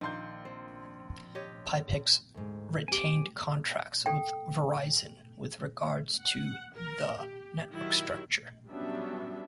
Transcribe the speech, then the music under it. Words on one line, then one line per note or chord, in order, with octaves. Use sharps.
Pipex retained contracts with Verizon with regards to the network structure.
A#1 D#3 A#3 C6 G6
C4
G4 C#5 D#5
D2 G#2
C4 G4 G#5 D6
A4 G5
F#5
A#4
G4
D#3 F#3 E4 G4
F#3 G3 B3 C#4 D4 E5